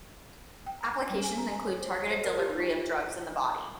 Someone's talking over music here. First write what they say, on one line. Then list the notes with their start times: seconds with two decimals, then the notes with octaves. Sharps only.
Applications include targeted delivery of drugs in the body.
0.66 G5
0.81 A#5
0.95 G#5
1.09 G3 C#4 G5
1.24 G#5
1.38 A#5
1.52 G#5
1.67 C#5
1.81 C5
1.95 C#5
2.10 C5
2.24 A#4
2.38 G4
2.49 D#4
2.60 F4